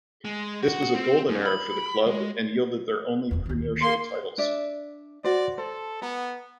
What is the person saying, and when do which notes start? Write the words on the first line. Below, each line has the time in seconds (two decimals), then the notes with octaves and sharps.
This was a golden era for the club and yielded their only premiership titles.
0.25 G#3
0.63 F#4
0.94 C4
1.29 F#2
1.45 B5
2.06 G#3
3.31 F1 E2
3.46 D2 D#3
3.82 A#3 C6
4.38 D4 D5 E5
5.24 F#4 C5 D5
5.58 A4 C5
6.02 B3 A#5